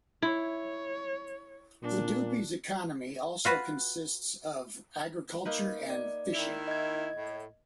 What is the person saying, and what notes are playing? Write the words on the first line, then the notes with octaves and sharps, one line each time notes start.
Udupi's economy also consists of agriculture and fishing.
E4 C#5
A#2 D4
F4 F#4 B4
A#3 D#4 B4
D5
D#3 E4
D#5 G#6
A2